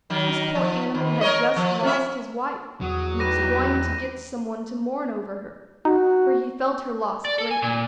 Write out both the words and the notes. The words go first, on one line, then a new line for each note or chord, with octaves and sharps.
This poor animal had just lost his wife, and was going to get some one to mourn over her, for he felt her loss greatly.
D#3 F#3
F3
D#2
A#4 C#5 D#5
F3
C4 C#4 E5
E2 F#3 F#5 D#6
D#4 G4 B4 D6 A#6 D#7
D#4 F#4
D5
A4
G#5
A#2